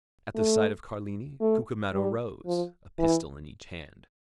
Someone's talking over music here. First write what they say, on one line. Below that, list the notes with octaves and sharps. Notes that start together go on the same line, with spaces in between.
At the sight of Carlini, Cucumetto rose, a pistol in each hand.
A3
A3
G3
F3
E3